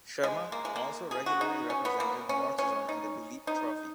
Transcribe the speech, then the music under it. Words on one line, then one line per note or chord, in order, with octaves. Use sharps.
Sharma also regularly represented North Zone in the Duleep Trophy.
G#3
A#3
G#3
A#3
G#4
F#4
D#4
C#4
B3
A#3
C#4
C#4
D#4
D#4